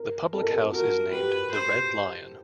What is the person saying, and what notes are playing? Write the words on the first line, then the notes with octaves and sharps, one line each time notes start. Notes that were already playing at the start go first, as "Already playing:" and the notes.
The public house is named 'The Red Lion'.
Already playing: A#4
A4
A#4
A4
F#4 A#4
G4 B4
C5